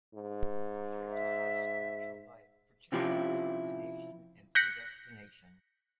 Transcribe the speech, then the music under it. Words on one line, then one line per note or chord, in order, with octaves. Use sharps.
The pair discussed spiritual life, particularly reincarnation and predestination.
G#2
E5
C3 F3 C#4 E4 F4 G4
F#6 G6 A#6 B6 C#7